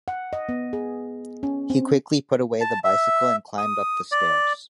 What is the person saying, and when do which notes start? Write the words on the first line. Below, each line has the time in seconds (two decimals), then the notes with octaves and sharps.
He quickly put away the bicycle and climbed up the stairs.
0.08 F#5
0.33 D#5
0.49 B3
0.73 G#4
1.43 C#4
1.70 C4
2.61 A5
2.84 E5
3.58 D#6
4.12 D5